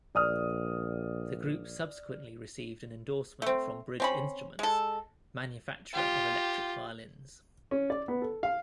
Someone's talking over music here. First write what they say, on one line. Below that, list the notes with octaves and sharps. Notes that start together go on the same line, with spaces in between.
The group subsequently received an endorsement from Bridge Instruments, manufacturer of electric violins.
A#1 D5 D#6 F6
A3 C4
C4 C#4 B5
G#3 A4
F4 G4
C#4
D5
B3
A4
F5